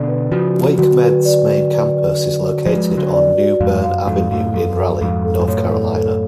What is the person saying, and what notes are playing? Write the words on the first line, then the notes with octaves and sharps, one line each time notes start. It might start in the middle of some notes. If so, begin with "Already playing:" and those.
WakeMed's main campus is located on New Bern Avenue in Raleigh, North Carolina.
Already playing: B2 D3 D5
B4
C#3 F3 F#4
F#4
D3 F#3 F#4
B4
D5
F#4
D5
D5
F#4
F#4
F3 G#3 B4
F#4
D3 F#3
D5
F#4
F2 G#2 F5
F#2 F5
F2 G#2 A4
F#2 A2 F5
F#2 A4
A4
F2 G#2 F5
A4
G#2
F#2 A2 C#5
A4
A4